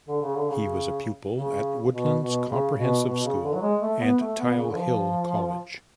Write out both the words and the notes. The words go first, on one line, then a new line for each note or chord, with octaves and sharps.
He was a pupil at Woodlands Comprehensive School and Tile Hill College.
D3
C#3
D3
C#3
C#3
B2
B2
C#3
B2
B2
C#3
D3
F#3
G#3
A3
B3
A3
B3
C#3
D3
F3